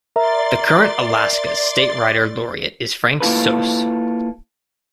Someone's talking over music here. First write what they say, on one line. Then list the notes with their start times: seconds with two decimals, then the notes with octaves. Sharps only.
The current Alaska's State Writer Laureate is Frank Soos.
0.16 A#4 D5 E5 A#5 C6 A6
3.20 A#3 E4 F4 A4 B4